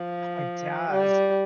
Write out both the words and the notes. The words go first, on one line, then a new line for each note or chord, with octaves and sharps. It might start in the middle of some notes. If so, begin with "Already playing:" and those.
Oh, it does.
Already playing: F3
G3